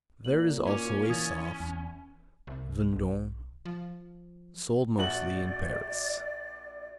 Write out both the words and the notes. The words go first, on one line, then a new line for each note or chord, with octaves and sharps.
There is also a soft Vendome sold mostly in Paris.
A#2 F#7
C#4 D#4 F#4 D6
E3 D#6 G#6 A6
E2
C2
B1
F3
A#1 F#4 D5 F#7